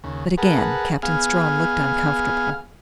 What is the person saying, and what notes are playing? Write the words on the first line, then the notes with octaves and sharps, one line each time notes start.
But again Captain Strawn looked uncomfortable.
D#2 C#3
G#4 A#4 B4 F#5 A5
B3 G#4 F5 G#5 F6